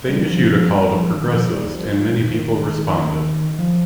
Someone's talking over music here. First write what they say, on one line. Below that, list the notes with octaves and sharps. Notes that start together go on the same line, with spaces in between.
They issued a call to progressives, and many people responded.
G3
F3
F3
G3
F3
D#3
F3
G3
F3
F3
D#3
F3
D#3
F3